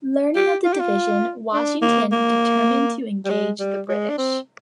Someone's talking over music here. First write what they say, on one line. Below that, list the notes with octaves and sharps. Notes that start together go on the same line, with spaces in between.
Learning of the division, Washington determined to engage the British.
G4
F4
G4
F4
D4
A#3
A#3
G3
G#3
G3
G#3
D4
C4